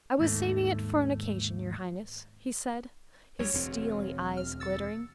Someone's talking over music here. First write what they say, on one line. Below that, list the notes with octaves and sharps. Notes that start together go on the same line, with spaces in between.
"I was saving it for an occasion, your highness," he said, his steely eyes glittering.
D#2 G#2 A3
D2 G3 C#5
E1 D2 C4
F6
E6 A6 C#7